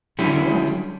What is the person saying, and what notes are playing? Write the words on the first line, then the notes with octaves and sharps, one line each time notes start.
"And what?"
D3 F#3 G3 C#4 E4 G4